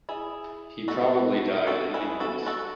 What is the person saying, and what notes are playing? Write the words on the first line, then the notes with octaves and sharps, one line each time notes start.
He probably died in England.
E4 G#4
F#4 A4
F#4 A4
E4 G#4
F#4 A4
F#4 A4